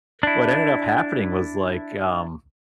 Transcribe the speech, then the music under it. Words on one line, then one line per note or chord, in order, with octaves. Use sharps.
what ended up happening was like, um,
D4 E4